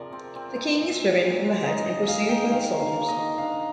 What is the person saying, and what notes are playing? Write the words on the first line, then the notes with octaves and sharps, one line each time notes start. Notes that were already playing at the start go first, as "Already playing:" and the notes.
The king is driven from the hut and pursued by the soldiers.
Already playing: C3 F3 G#4 A#4 D5
C4
C4
F3
A#2
A#2
A#2
G#3
D#4 D#5
G#4 D#5
D#5
G#4 F5
D#4 G5
D#3 F5
D#3
F5
A#3
D#5
D#3
D4 F5